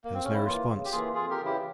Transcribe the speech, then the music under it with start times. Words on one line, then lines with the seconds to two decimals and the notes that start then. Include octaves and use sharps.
There was no response.
0.04 A#3
0.14 C4
0.22 C#3 C#4
0.34 E4
0.45 E3 A#3 F4
0.68 C#3
0.85 G4
0.92 E3 A#3 F4 G#4
1.15 F2 F4 G#4
1.30 G4 A#4
1.38 C#3 E3
1.45 E4 G4